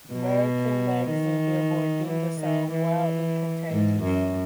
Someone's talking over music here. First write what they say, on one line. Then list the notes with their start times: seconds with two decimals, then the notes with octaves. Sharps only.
American magazine "Billboard" deemed the song "wildly contagious".
0.14 B2
1.11 D#3
2.09 E3
2.41 D#3
2.74 E3
3.71 G#2
4.04 F#2